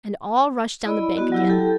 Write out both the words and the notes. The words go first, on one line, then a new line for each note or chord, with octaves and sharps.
And all rushed down the bank again.
E4 D5 D#5 B5
B3 F#4
F#3 E4 G4
G4 A4 G5 A5